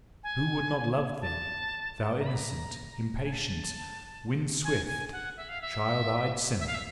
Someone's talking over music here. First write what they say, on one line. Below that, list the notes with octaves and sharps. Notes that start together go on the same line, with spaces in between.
Who would not love thee, thou innocent, impatient, wind-swift, child-eyed sinner!
G#5
A5
A#5
B5
A#5
A5
G#5
A5
G#5
G#5
F#5
E5
F5
E5
E5
F5
E5